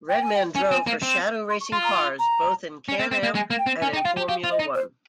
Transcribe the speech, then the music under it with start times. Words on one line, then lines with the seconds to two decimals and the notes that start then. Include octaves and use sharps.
Redman drove for Shadow Racing Cars both in CanAm and in Formula One.
0.09 G5
0.22 G#5
0.35 G5
0.56 C#4 G#5
0.71 C4
0.87 A#3
1.02 C4
1.49 C6
1.60 C#6
1.72 F4 C6
1.84 A#5
1.95 C6
2.19 A#5
2.89 C#4
2.99 C4
3.11 C4
3.23 A#3
3.35 G#3 G#5
3.50 A#3
3.58 G5
3.67 C4
3.81 C#4 G#5
3.93 D#4 G5
4.05 F4 F5
4.17 G4
4.28 G4 F5
4.44 F4
4.51 D#5
4.59 D#4
4.75 C5